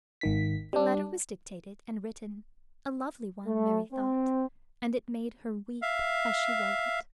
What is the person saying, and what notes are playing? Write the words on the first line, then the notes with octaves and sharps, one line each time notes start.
The letter was dictated and written--a lovely one, Mary thought--and it made her weep as she wrote it.
G#1 D#3 B6
G3 D4
A3
C4
E5 F5